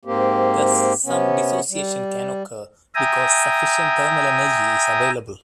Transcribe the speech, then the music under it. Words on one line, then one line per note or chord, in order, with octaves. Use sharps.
Thus some dissociation can occur because sufficient thermal energy is available.
G#2 A#3 C4 G4
C3 B3 C#4
G3
E5 G5 G#5 A#5 D#6